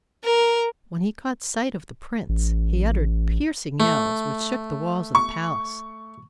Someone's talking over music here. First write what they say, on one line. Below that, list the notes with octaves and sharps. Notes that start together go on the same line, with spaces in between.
When he caught sight of the prince he uttered piercing yells, which shook the walls of the palace.
A#4
A1
A3
C#6